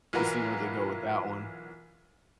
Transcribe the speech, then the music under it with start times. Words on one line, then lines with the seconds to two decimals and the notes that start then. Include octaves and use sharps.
to see where they go with that one.
0.13 B1 E3 F4 F#4 A#4 B4